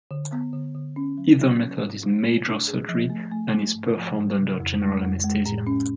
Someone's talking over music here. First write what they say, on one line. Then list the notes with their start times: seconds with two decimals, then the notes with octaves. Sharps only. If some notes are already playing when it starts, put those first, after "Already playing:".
Either method is major surgery and is performed under general anesthesia.
0.11 D3
0.32 B3
0.53 D3
0.75 D3
0.96 C#4
1.18 F#3
1.39 F#3
1.61 C#4
1.82 G#2
2.03 F#3
2.25 A3
2.46 D4
2.68 G#4
2.89 F3
3.10 A3
3.31 A3
3.53 A3
3.75 G#2
3.96 F3
4.18 G#2
4.39 C#3
4.60 F2
4.82 G#3
5.03 F2
5.24 G#3
5.46 A2
5.67 C#4